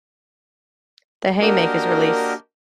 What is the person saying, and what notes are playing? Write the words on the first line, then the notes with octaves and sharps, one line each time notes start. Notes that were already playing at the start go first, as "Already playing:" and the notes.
The Haymakers release.
A#3 D4 F#4 G4 A#4 D#5